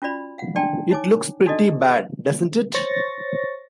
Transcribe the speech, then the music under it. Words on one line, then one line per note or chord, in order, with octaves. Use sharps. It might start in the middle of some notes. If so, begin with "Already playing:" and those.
It looks pretty bad, doesn't it?
C#4 F4 F#4 D5 B5
F5 F#5
D4 D5 G5 A5 C6
D#4 C#5 G#5 D6
D4 D#4 F#4 A4 D5 D#5
G#4
C5 C#5 C#6 A6 A#6